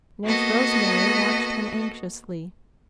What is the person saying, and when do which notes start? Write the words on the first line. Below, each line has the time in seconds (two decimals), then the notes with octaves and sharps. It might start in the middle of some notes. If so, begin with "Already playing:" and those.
Nurse Rosemary watched him anxiously.
0.24 A#3 B3 F#4 A4 D#5